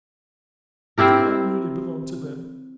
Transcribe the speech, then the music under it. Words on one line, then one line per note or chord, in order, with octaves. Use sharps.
Do I really belong to them?
C4 E4 G4 A#4